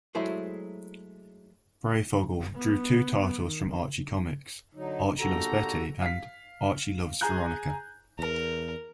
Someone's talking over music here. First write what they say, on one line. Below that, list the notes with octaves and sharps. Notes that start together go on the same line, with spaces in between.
Breyfogle drew two titles for Archie Comics: "Archie loves Betty" and "Archie loves Veronica".
F#3 G#3 A3 E4 G#4 C5
B3
D#3
D3 F#3 D#4
A#1 F#4 G4 A4 A#5
F5 B6
G#4 G#5 A#5 F#6 G6
E2 A#4